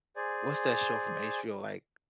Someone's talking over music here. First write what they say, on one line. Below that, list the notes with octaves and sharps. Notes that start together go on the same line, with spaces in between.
what's that show from HBO, like
G#4 C5 D5 G#5